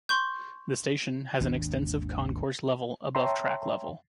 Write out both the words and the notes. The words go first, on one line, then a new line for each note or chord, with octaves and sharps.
The station has an extensive concourse level above track level.
C6 C#6 G6
G#1 D#2 D4
C#5 E5 G5 A5 A#5 C6